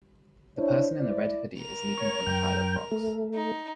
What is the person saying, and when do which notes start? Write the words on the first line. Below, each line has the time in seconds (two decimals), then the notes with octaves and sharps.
The person in the red hoodie is leaping from the pile of rocks.
0.58 D4 E4 C5 C#5
1.00 E4 D5
1.61 A#4 F7
1.98 C#5
2.26 F#2 G5
2.91 A3
3.34 D#4